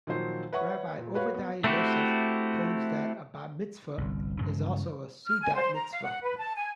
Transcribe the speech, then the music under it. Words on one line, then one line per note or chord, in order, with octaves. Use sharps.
Rabbi Ovadiah Yosef holds that a Bat Mitzvah is also a seudat mitzvah.
A#2 D#3 F3 F#3 C5
B4 C#5 E5 F#5 B5 C#6
A#2
F#4 B4 C#5 F5
B3
A3 C4 E4 F#4 G4
G1 C2
G2 C#3 E3 G#3
F6
G#5
C5
A#5
F5
F#5
B4
A5
G#5